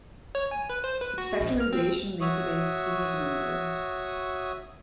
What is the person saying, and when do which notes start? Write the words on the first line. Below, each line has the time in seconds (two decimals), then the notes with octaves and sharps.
Its factorization makes it a sphenic number.
0.35 C#5
0.51 G#5
0.70 B4
0.84 C5
1.01 B4
1.18 F#4
1.40 A#1
1.60 F6
1.73 C4
2.21 F#4 C#5 E5 C#6 D#6